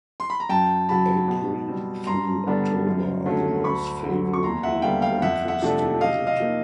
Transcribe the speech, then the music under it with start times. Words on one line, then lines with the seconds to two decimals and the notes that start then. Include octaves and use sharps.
April through October are the most favorable months to visit.
0.20 C6
0.30 B5
0.40 A#5
0.49 F#2 G5 A5
0.89 C#3 F#3 A5 B5
1.28 B2
1.68 G3 C4
2.07 G2 A#5 C6
2.46 D3 G3 B3 D4
2.87 F#2
3.26 D3 F#3 A3 C#4
3.64 D2 B5 C#6
4.05 D3 F#3
4.33 C#6
4.43 D#2 A#5 C6
4.63 E5 F#5
4.82 D3 G3 B3 F5 G5
5.02 F5 G5
5.22 F2 E5 F#5
5.48 E5 F#5
5.62 C3 F3 A3 D4
6.01 C3 D#5 F5
6.27 D#5 F5
6.40 F3 A#3 D#4